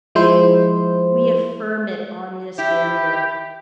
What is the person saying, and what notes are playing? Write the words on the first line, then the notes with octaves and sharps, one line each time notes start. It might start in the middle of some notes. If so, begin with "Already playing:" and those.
We affirm it on this barrier.
F3 G#3 E4 C5
E4 G4